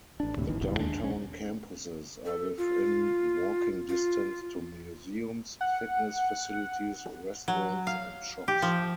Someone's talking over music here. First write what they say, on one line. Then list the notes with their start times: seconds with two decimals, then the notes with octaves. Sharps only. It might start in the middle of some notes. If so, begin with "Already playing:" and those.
The downtown campuses are within walking distance to museums, fitness facilities, restaurants and shops.
0.20 A1 D4
0.37 D2 A2 C3
0.49 A1 D#3 E3
0.61 F#1 B1 E2 G2
0.79 D#2 G#3 D4
1.00 B1 C#4
2.26 A4
2.58 F4
3.89 F4
5.61 F#5
7.48 F#3
7.87 F5
8.48 G4
8.62 F3